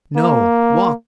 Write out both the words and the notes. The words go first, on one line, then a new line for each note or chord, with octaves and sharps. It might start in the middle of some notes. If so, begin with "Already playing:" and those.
No. Walk.
A#3